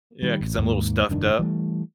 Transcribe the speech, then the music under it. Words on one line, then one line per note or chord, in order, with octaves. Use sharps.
Yeah, 'cause I'm a little stuffed up.
D#3 G3
A1
D#2 G#2 A#3
F1 G2 D#3 D4
E3 G3 A3